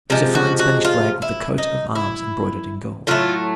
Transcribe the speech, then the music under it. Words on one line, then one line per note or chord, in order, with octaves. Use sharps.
It was a fine Spanish flag with the coat of arms embroidered in gold.
C3 F3 G#3
F#4
F#4
F4
E4
D#4
E4
A2 F#3 A3 F4